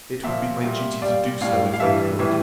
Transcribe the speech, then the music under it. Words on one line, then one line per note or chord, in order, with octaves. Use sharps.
It would be my duty to do so, if I could.
A#2 F3 E5
A#2 G3
A#2 G3 D5 F5
A2 G3 D5 F5
F5
G2 E3 G3 E5
A2 E3 G3 E5